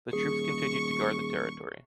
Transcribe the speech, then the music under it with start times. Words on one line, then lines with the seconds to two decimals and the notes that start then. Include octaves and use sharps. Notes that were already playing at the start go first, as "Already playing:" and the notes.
The troops continued to guard the territory.
0.13 D#1 G#4 C#6